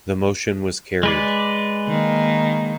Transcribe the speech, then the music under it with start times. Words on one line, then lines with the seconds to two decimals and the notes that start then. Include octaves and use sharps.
The motion was carried.
1.03 G#3 B4 D5
1.88 D#3 A#3